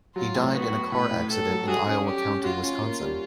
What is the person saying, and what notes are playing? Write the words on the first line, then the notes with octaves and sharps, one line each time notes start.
He died in a car accident in Iowa County, Wisconsin.
F#3 F4
A2
B3 F#4
B3
A2 B4
A2
A2 A4
F#3
F#4 G#4
C#4
G3 G4
C#4
F4 F#4
C#4
A#3
G3